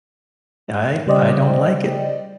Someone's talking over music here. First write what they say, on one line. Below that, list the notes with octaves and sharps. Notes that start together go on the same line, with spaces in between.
I I don't like it.
C#3 G3 C5 D5 D#5 G5